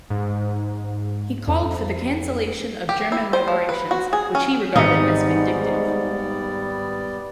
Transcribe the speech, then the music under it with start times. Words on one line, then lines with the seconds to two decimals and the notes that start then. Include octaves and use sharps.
He called for the cancellation of German reparations, which he regarded as vindictive.
0.10 G#2
1.48 F2
2.89 G4
3.12 E4
3.33 C5
3.48 F3
3.69 B4
3.91 F#4
4.13 G#4
4.35 C#4
4.76 G#1 G#2 G3 B3 D#4 D5 C#7